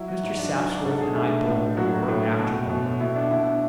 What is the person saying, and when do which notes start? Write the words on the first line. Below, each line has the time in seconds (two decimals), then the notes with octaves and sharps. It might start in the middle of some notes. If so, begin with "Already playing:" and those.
Mr. Sapsworth and I bowled over after over.
Already playing: F#3 E4
0.08 F#4
0.23 G#2 E4
0.39 D4
0.54 F#3
0.69 D4
0.85 G#2 A4
1.01 G#4
1.15 A3 D4
1.47 A2
1.77 F#3 F#4
2.08 A2
2.39 B2
2.70 B2
3.00 B2 E4
3.16 D4
3.31 B2 E4
3.47 D4